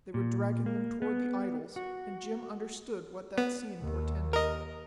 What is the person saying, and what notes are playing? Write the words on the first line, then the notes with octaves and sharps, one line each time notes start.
They were dragging them toward the idols, and Jim understood what that scene portended.
A#2
A#3
B3
F#4
B3
D#2
A#4 D#5